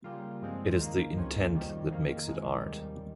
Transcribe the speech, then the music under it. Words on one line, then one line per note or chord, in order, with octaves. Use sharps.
It is the intent that makes it art.
C#3 G3 A#3 F4
G2 F3 G#3 C4
D#2 D#3 A#3
C#2 C3 F3 A#3 C#4
F2 D#3 G3
F2 D#3 A#3
F2 C3 D#3 G#3
D#2 D#3 G3